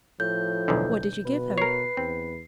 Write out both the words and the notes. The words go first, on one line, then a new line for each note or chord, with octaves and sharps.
'What did you give her?'
A2 F3 G6
B1 E2 D3
B2 B4
A#4 C#5 C7
E2 C4